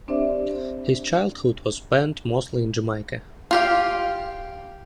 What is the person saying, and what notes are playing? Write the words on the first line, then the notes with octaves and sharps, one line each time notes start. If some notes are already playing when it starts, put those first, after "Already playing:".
His childhood was spent mostly in Jamaica.
C4 D4 G4 C5 D5 E5
F4 G4 F5